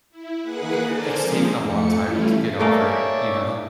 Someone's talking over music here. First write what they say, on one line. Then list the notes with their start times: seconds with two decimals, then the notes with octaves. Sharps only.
we i it's taken a long time to get over it, you know?
0.10 E4
0.41 A#3 G#4 B4 F#5 F#6
0.88 A4 A#4 C5 D5 G#5 A5
1.17 F3 G#3 A#3 C4 D#4
1.58 F2 A3 C#7
2.02 E3 G3 A3 C#4 E4 F4
2.60 A3 A#3 C#4 C#5 D5 E5